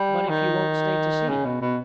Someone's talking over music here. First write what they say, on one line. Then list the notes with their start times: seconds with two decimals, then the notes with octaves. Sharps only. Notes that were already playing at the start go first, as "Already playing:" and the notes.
"But if you won't stay to see!"
Already playing: G3
0.28 D#3
1.29 C#3
1.45 B2
1.61 B2